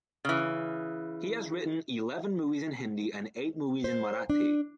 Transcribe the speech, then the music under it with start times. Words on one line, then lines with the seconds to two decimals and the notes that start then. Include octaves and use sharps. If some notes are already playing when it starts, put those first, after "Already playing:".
He has written eleven movies in Hindi and eight movies in Marathi.
0.25 C#3 E3
3.84 C5
4.30 D4